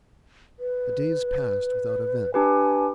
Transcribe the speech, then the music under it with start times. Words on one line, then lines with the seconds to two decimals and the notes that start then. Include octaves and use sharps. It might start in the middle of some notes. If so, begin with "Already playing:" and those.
The days passed without event.
0.59 B4
2.34 D4 G4 B4 G#5